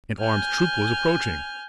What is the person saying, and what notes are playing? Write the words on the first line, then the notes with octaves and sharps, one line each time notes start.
An armed troop was approaching.
G#5 F6 G6